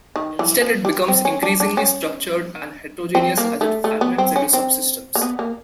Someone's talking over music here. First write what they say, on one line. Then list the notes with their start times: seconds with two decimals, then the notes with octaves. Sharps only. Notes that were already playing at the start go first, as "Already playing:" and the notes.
Instead it becomes increasingly structured and heterogeneous as it fragments into subsystems.
0.16 D#3
0.39 E3
0.62 F3
0.85 G3
1.08 C4
1.25 C#4
1.43 D4
1.60 D4
1.77 C#4
3.15 C4
3.38 A#3
3.61 A3
3.84 A3
4.01 B3
4.18 C4
4.36 C#4
4.53 C4
5.15 A#3
5.22 B3
5.39 A#3